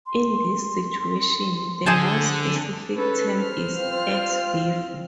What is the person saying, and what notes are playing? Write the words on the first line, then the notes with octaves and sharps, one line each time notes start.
In this situation, the more specific term is "ex vivo".
C6
D3 G#4 C5 A5
C#4 A4 B4
C5 F6
C4 F4